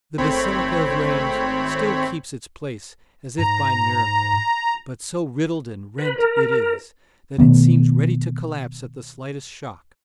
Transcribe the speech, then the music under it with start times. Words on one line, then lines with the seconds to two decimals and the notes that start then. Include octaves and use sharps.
The basilica of Rheims still keeps its place as if by miracle, but so riddled and rent it is, that it seems ready to collapse at the slightest shock.
0.18 G#1 A3 C4 C#5 B5
3.39 G#2 A#5
5.98 B4
6.18 A#4
7.38 B2 D#3 A3 B3